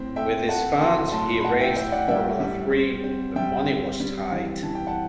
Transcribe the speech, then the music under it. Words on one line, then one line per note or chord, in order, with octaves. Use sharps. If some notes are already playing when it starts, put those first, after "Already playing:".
With these funds, he raced Formula Three, but money was tight.
Already playing: A2 C4
A3 E5 G5
A3 F#5 A5
F#3 A5 C6
A2 A5 C6
B5
A2 F#5 A5
E5 G5
A2 E5 G5
D5 F#5
G3 E5 G5
G3
C4
C4
G3 E5 G5
C4
G3
E3
E3 A5
G5
F#5 A5